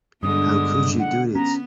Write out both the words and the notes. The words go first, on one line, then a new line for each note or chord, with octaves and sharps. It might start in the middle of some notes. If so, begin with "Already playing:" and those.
How could you do it?
G2 D3 G#3 B3 D#6
F#5
B3 C#4 A#5